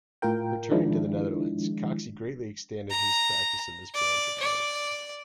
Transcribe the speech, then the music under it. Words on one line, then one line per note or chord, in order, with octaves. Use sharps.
Returning to the Netherlands, Coxie greatly extended his practice in this branch of art.
A2 F4 A#4 G5
D#3 F3 G#3 D4 E4
A#5
D5
D5